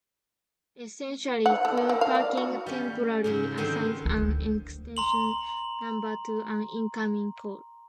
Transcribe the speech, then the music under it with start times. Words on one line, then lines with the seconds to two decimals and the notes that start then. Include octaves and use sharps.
Essentially, call parking temporarily assigns an extension number to an incoming call.
1.46 F#5
1.65 A3
1.77 A#3
1.89 A#3
2.01 F5
2.15 D5
2.37 F#4
2.66 G3 C#4
3.24 G#2 C#3 F#3
3.57 D3 D#3 B3 C4 F#4 C5
4.05 D2
4.97 A#5 C6 F#7